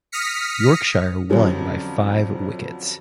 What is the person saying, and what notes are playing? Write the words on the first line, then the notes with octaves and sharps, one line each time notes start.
Yorkshire won by five wickets.
D#6 F6 A#6 B6 C#7
F2 D3 F3 F#3 C#4